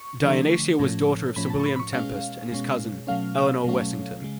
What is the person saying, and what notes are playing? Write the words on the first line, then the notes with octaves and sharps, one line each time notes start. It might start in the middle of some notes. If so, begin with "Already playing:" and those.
Dionysia was daughter of Sir William Tempest and his cousin, Eleanor Wessyngton.
Already playing: C#6
D3 F3 A3 D4
A2 F3 A3 C#4
A2 F3 A3 C#4 B5
A5
C#6
B5
B5
C#6
B2 G#3 C#4 F5
B2 G#3 C#4
B2 F#3 A3 C#4 F5
B2 F#3 A3 C#4
C#3 G#3